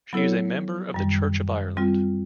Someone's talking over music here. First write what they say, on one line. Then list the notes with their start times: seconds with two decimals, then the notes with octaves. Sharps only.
She is a member of the Church of Ireland.
0.13 F#3 B3 E4 A4 C#5
0.94 F#2 D#3 G3
1.77 G3 C4 F4